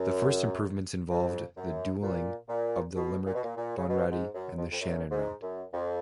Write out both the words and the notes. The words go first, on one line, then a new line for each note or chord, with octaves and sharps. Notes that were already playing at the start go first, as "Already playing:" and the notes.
The first improvements involved the dualling of the Limerick, Bunratty and Shannon route.
Already playing: F#2
F2
F#2
A#2
A#2
B2
A#2
B2
A#2
A#2
C#3
B2
G#2
F#2
F2
F2
F#2
G#2
F#2
F2